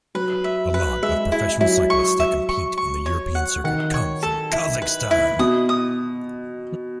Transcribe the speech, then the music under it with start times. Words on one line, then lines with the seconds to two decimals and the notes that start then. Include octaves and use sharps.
A lot of professional cyclists that compete on the European circuit come from Kazakhstan.
0.15 F#3 B4
0.44 E5
0.74 B4
1.03 G#3 E5
1.32 G#3 E4
1.61 F#3 E4
1.90 C#6
2.20 E5
2.49 C#6
2.77 C#6
3.06 C#5
3.35 F#5
3.64 D#3 F#5
3.94 C#5
4.23 A4
4.53 E4
4.82 B4
5.11 E4
5.39 B2 D#6
5.69 D#6